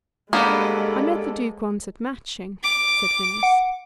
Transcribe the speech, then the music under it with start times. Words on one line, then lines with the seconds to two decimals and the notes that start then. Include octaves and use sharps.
"I met the Duke once at Matching," said Phineas.
0.33 G2 G#3 A#3 B3 C#4 A4
2.63 D6
3.43 F#5